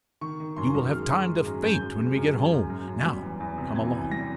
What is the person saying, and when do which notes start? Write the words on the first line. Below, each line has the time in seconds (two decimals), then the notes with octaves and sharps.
You will have time to faint when we get home; now come along.
0.21 D#3 C#6
0.40 D#3
0.57 F#2 C6
0.75 F#2
0.93 G#3 F6
1.10 G#3
1.28 G#3
1.46 F#2
1.64 F#2 G6
1.81 F#2
1.99 G#3
2.17 F#2
2.34 F#2
2.52 F#2
2.70 F#2
2.88 F#2
3.05 G3
3.22 E2
3.40 E2
3.58 C3
3.76 E3 G#6
3.94 E3
4.11 G3 A#6